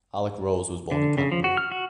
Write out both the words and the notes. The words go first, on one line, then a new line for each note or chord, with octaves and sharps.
Alec Rose was born in Canterbury.
D3
C#3
F3
F#4
F6
F#4